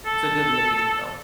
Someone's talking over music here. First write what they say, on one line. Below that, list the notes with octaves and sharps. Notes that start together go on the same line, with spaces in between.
It's a good-looking film.
A4